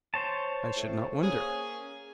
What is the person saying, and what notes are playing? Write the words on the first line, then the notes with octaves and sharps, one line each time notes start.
I should not wonder.
C5 C#5 A5
A2
A#3 C#4 G#4